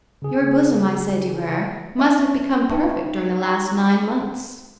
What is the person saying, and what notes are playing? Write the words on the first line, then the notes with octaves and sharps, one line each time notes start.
"Your bosom," I said to her, "must have become perfect during the last nine months."
C#3 G#4
C#4 D#5 E5 C#6
D#4 B4 E5 G5 A5 C#6
F#4 F#5 G5